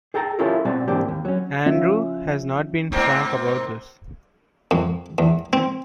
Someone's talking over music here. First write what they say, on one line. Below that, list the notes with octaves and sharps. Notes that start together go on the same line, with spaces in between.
Andrew has not been frank about this.
G#4 A4 G5 A5 A#5
C#4 E4 F4 G4 A4 A#4
B2 G3 C4 F#4 A5
G#2 E3 A#3 C4 D4 G4
D#2
F#3 C#4
F3 C#4 F4 E5
G#2 A#3 C4
F2
E2
C4